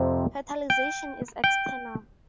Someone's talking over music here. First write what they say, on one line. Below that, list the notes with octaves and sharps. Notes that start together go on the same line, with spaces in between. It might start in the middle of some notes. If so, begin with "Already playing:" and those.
Fertilization is external.
Already playing: F2 C3
G5
G5